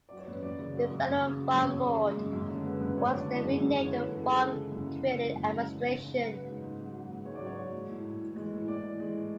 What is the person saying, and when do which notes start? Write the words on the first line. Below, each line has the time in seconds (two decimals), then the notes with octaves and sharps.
The Federal Farm Board was then renamed the Farm Credit Administration.
0.09 F#3 D5
0.18 C#5
0.27 F#2 B4
0.43 F#2 D5
0.58 C#3
0.74 F#3
0.91 F#2
1.06 F#2
1.22 C#3
1.38 F#3
1.54 F#2 C#5
1.69 F#2
1.86 C#3
2.02 G#3
2.17 F#2
2.33 F#2
2.49 D3
2.65 G#3 B4
2.81 F#2 B4
2.97 F#2 C#5
3.12 D3 D5
3.23 D4
3.28 G#3 E4
3.44 F#2 G#4
3.60 F#2
3.76 D3
3.85 C#5
3.91 E3 B4
4.08 F#2 A4
4.23 G#3 G#4
4.40 C#3 A4
4.55 E3
4.72 F#2
4.87 G#3
5.03 C#3
5.19 E3
5.36 F#2
5.51 G#3
5.67 C#3
5.83 G#2
5.99 G#2
6.15 F#3
6.30 F#3 B4
6.47 G#2
6.62 G#2
6.78 F#3
6.94 F#3
7.09 G#2
7.25 G#2 C#5
7.36 D5
7.41 F#3
7.46 C#5
7.57 F#3
7.73 G#3
7.89 A2
8.04 A2
8.21 E3
8.36 G#3
8.53 A2
8.68 A2 D5
8.84 E3
9.00 G#3
9.16 A2